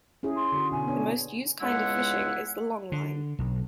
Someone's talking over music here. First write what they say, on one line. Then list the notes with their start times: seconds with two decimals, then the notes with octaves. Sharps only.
The most used kind of fishing is the longline.
0.23 C#4 E4 G#4
0.36 C6
0.52 D3 F#4
0.72 B2 D3 G#5
0.87 B3 D4 C#5
1.61 C#2 C#3 G#3 B3 E4 F#5
2.92 D3
3.39 B1